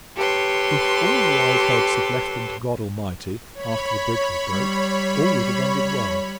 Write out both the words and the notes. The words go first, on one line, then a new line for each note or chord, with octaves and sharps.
If all the wise heads had left them to God Almighty, after the bridge was broke, all would have ended well!
G4 A4 B4 C#5 C6
C#5 B5
G3